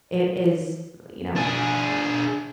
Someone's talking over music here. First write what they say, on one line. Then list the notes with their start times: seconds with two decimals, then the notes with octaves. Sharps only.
it is, you know
1.36 D4 G#4